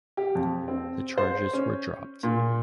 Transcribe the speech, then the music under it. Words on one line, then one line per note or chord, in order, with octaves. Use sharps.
The charges were dropped.
G4
F2
C4
C5
C#4
A#2